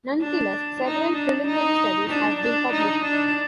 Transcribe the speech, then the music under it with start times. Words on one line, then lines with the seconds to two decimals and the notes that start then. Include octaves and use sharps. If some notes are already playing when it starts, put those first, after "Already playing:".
Nonetheless, several preliminary studies have been published.
0.21 D4
0.84 D#4
1.16 D4
1.47 D#4
2.10 D4
2.41 D4
2.73 D#4
3.04 D4